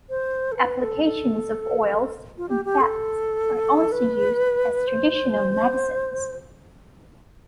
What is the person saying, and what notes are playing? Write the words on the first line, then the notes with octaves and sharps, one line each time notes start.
Applications of oils and fats are also used as traditional medicines.
C5
A4
B4
A4
A4
F4
G4
G4
A4
B4
C5